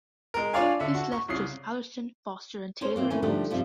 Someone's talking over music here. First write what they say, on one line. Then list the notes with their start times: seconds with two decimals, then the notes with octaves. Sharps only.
This left just Allerston, Foster and Taylor in post.
0.34 G#3 A#4
0.53 D4 F4 C#5 D5 F5 G#5
0.79 D3 E5
0.94 F#4
1.12 C#6
1.28 C2 C#3 C7
2.81 C#4 A#4 C5 C#5
2.96 A#3 C4 E5
3.10 E3 A3 C#4 A#4 G#5
3.22 D3 F3 G3 A3 D4 D#4
3.50 G2 C3 F3 G3